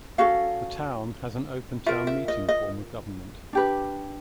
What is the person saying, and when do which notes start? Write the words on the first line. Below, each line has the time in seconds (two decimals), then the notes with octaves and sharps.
The town has an open town meeting form of government.
0.18 C#4 F#4 A4 F5
1.86 F4 A#4 E5
2.07 E5
2.28 D#5
2.48 D#5
3.53 D4 G4 B4